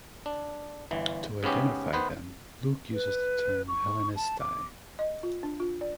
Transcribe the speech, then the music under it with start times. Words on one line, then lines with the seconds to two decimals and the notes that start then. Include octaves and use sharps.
To identify them, Luke uses the term Hellenistai.
0.26 D4
0.91 G1 E3
1.43 G#2 C#3 B3 C#4 G4
1.93 D#3 B3 B4 C5
2.93 B4
3.68 C#6
4.16 A5
4.40 D6
4.99 D#5
5.23 F4
5.43 D4
5.60 F4
5.81 D5